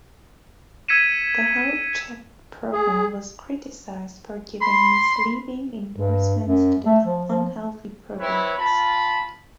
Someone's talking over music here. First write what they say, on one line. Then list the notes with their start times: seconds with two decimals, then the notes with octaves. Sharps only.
The Health Check program was criticized for giving misleading endorsements to unhealthy products.
0.88 E6 G#6 B6 C#7 D#7 E7
2.72 G#4
4.61 B5 C6
5.97 G2
6.45 F#2
6.85 A3
7.03 F3
7.29 F3
8.19 C4 E4 B4 C#5
8.58 F4 A5 B5